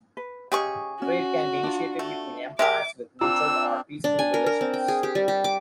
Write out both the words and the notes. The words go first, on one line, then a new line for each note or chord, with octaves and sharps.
Trade can be initiated between empires with neutral or peaceful relations.
B4
C#3 G4 G#4 D#5 C#6
C#4 F#4
D4 F4
A3
G#3 G4 A#4 E5 D6
C4 D4 F4 A#5 D6 E6
D4
G#5
A#4
A#4
C4
G5
G#4
G4
G3
G4
D6